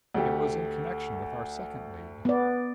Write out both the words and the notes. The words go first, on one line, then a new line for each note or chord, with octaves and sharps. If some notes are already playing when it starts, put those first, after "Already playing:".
"It was in connection with our second lead."
D2 A3 G4
B3 D5